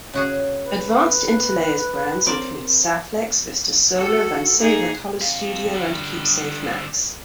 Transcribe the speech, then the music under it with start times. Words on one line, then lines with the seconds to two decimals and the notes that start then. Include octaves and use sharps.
Advanced Interlayers brands include Saflex, Vistasolar, Vanceva Color Studio and KeepSafe Max.
0.14 C#3 F#4 G#4
0.64 B4
2.26 C4 A#4 D5
3.95 F#4 A4
4.57 A#3 D#4 G#4
5.21 C4 F5
5.73 D3 G3